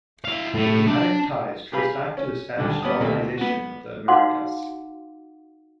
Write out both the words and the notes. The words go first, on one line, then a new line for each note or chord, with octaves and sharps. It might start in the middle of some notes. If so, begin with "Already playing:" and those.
Diplomatic ties trace back to the Spanish colonization of the Americas.
E4 F5
A2
D4
G4 G#4 B4 F5 B5
C#4
D2 G2 D3
G3 B3 C#4 B4 D5 D#6
D2 C3 A3 A#3
B3 F#4
D#4 F#4 F5 F#5 C6 D6